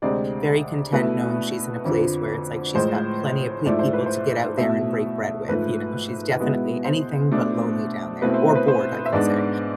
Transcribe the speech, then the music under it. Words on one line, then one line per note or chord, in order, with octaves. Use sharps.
very content knowing she's in a place where it's, like, she's got plenty of ple people to get out there and break bread with, you know? She's definitely anything but lonely down there or bored, I can say.
D2 C3 G#3 C4 D5
B2 A3 E4 B4
F2 D3 F3
A2 F3 G#3 C5
G#2 F3 A3 E4 D5
C5
B4
C5
B2 A3 E4 E5
G#2 F3 A3 B4
B2 G#3 B3 E4
C5
B2 A3 D4
B2 A3 C4 E4 B4
C5
C5
B4
C5
E5
G#2 G#3 B3 D4 D5